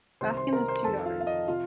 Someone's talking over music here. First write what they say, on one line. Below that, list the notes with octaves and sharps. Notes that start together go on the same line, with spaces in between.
Baskin has two daughters.
C2 C3 D#3 C5 C6
C5 C6
A#4 A#5
C5 C6
F2 D#3 A4 A5
F4 F5
F5
D#5
C3 F3 F4 F5